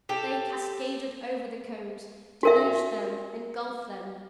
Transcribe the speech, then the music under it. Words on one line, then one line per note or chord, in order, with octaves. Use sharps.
They cascaded over the cones; deluged them; engulfed them.
G4 A4
F#4 A#4 E5